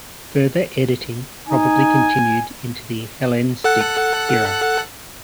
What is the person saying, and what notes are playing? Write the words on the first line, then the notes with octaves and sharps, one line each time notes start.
Further editing probably continued into the Hellenistic era.
D#4 G#5
A4 F#5 F#6